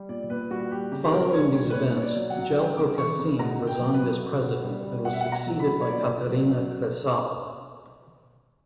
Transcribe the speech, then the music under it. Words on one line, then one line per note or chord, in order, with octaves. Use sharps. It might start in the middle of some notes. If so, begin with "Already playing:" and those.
Following these events, Jelko Kacin resigned as President and was succeeded by Katarina Kresal.
Already playing: G3
A#2 D5
A#2 B4
G3 F#4
G3 G4
C#3 G4
G4
C#3 A#4
G3 C#5
G3 C#5
B4
A#2 C#5
A#2 C#5
D5
F#3
F#5
F#3
G3 G5
C#3 D6
E3 C#6
C#3
B2 A#5
B2
G5
F#3
B4
F#3
B2
B2
G3
G3
B2 F#5
E5
B2 F#5
A#5
F#3
B5
F#3
C#5
A#2 D5
A#2
F#3
F#3